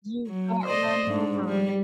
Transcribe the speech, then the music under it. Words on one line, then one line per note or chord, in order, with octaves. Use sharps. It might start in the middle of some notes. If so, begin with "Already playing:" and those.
You got run over.
F#3
C5 D5 D#5
G#2 D4
G3